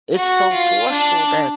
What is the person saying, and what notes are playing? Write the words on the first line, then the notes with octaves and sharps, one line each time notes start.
it's so forceful that
F#4
F4
D4